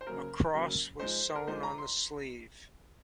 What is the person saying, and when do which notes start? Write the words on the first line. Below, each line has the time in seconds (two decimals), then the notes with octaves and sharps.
A cross was sewn on the sleeve.
0.01 C5
0.06 C#3 F#3 A#3 A#4
0.53 C#3 F#3 A#3
1.00 F3 G#3 D#4 C5
1.35 A#4
1.47 F3 G#3 D#4 C5
1.63 A#5
1.78 C6